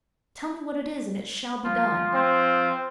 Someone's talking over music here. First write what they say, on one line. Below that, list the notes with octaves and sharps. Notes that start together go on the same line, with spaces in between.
'Tell me what it is, and it shall be done.'
F3 F4
C4